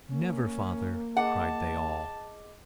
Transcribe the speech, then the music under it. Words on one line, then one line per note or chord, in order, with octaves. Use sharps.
"Never, father!" cried they all.
A#3 C#4
G#4 D#5 F#5 A5 D6